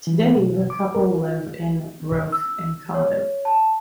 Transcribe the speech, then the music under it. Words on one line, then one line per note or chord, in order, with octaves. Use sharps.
Today, the couple live in Roath in Cardiff.
E3
B2
D6
A#4
F4
E6
C#5
A5